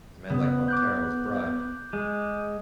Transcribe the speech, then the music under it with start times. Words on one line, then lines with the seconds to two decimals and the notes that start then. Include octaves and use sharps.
A man like Montero is bribed.
0.30 C#3 B3
0.68 D6 F#6 G6
1.93 G#3